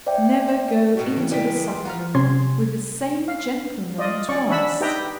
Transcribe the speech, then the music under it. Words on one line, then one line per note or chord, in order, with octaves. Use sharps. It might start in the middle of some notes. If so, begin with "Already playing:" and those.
Never go into the supper-room with the same gentleman twice.
C5 D5 E5 G5
G#2 B2 D#3 F#4
F2 C#3 E3 B3 C#4
A#2 E3 G3 G#3 B6
C6
F4 B4 F#5 A#5 F6
C3 C#4 C6 G#6
F5
F4 D5 D#5
C#4 D5 C#6
D4 C#5 E5 F#5 B5 E6
D#4 G4 B4 E5 G5 A#5